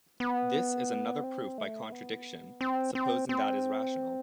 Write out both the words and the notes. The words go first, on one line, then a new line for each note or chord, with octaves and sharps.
This is another proof by contradiction, supposing that is rational.
B3
C4
A3
B3
C4
C4
C4